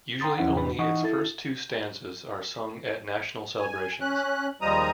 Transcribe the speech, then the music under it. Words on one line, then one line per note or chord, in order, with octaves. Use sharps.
Usually only its first two stanzas are sung at national celebrations.
G5 A#5 C6 D#6 A6
E2 F3 C#4 E4 F#5
E2 A2 D4 B4 B5
E3 D#4 D#5 F#5 C#6 D#6
E4 A4 A6
G#5
C#4 F#6
D#2 F3 G3 G#3 A#5 D#6